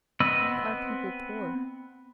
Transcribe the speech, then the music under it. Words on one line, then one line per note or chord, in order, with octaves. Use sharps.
Why are people poor?
B3 C4 D#5 B5 E6